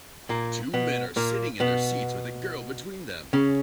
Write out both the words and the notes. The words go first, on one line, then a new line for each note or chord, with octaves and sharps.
Two men are sitting in their seats with a girl between them.
A#2 A#3
B2 B3
A#2 A#3
B2 B3
C#3 C#4